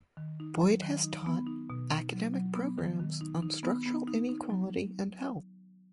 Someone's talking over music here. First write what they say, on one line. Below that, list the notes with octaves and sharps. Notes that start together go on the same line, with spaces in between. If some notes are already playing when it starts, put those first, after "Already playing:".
Boyd has taught academic programs on structural inequality and health.
D#3
D#4
F#3
D#3
D#4
B3
D#4
B2
D#4
F#3
F#3
B3
D#3
D#3
D#4
D#4
B3
B3
D#4
D#4
F#3